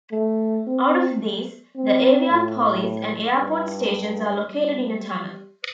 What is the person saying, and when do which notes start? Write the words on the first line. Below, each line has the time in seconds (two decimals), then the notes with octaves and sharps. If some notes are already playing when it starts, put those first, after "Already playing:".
Out of these, the Aviapolis and Airport stations are located in a tunnel.
0.12 A3
0.67 C4
1.76 C4
2.30 A2
3.39 G2
4.48 G3